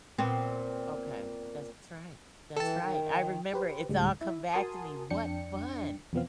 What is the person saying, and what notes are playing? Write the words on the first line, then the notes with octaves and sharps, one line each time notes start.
Okay. That's right, that's right. I remember it it's all come back to me, what fun.
A#2 B3 C4
E3 A4 G5 A5
D#3
G4 B4 C5
D2 A2 G3 G#3
E4 E5
F#4 A#4 G#5 A5 C6 D#6
F2 D4 G5 C#7
E2 B2 F3 B3 C4 F5